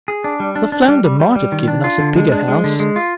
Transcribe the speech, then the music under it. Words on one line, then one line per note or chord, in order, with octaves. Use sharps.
The flounder might have given us a bigger house.
G#4
D4
G3
D4
D4
G3
G3
G3
G3
D#3
D4
F4
D3
G#3
D4
G#3
D3
G#3
F4